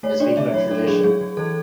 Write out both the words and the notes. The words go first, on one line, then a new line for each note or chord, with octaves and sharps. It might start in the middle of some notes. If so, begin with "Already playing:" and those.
eh, speaking of tradition,
A3 C#5
D4 D5
A3 E5
F#3 C#5
D4 A4
F#3 G#4
F#3 G#4
F#3
E3 A4